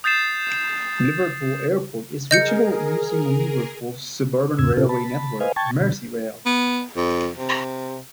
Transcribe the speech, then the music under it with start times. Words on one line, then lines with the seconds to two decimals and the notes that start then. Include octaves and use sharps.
Liverpool Airport is reachable using Liverpool's suburban railway network, Merseyrail.
0.04 D#6 G6 A6 C7 E7
2.31 G#4 A#4 D#5 G6 C#7
4.59 E2 A2 C#3 E6 G#6
4.77 A#2 C#3 C4 C#4 F4 A4
4.89 A5 B5
5.40 B4 C5 D#5 F5 G#5
5.56 G5 A5 C#6 G#6 A6
5.81 B2 D3
6.46 B3
6.96 F2
7.38 C3